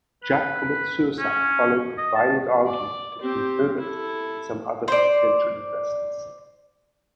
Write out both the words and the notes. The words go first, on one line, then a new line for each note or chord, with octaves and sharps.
Jack commits suicide following a violent argument between Herbert and some other potential investors.
B4
C#4
D#5
A5
D5
C4 G4
E4 A4
C5 D5